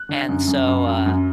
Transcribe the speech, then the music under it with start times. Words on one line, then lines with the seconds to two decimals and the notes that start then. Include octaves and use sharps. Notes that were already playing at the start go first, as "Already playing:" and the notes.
And so, uh,
Already playing: F#6
0.09 D3
0.29 F#2
0.47 F#2
0.67 F#2
0.86 F#2
1.06 F#2